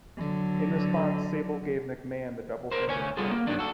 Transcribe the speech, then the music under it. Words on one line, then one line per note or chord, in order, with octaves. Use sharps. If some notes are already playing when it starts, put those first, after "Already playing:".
In response, Sable gave McMahon the double finger.
D3 F#3
A#4 C5
D2 C#5 G#5
G3 B3 F4 G#4 A4
A#3
G2 D#3 F#3 D4
F#4 A4